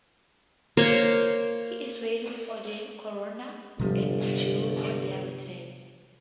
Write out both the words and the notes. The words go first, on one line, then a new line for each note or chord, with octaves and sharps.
He is waiting for the coroner and jury on their return.
A#3 A#4 C5 C#5
G1 C3 F3 G3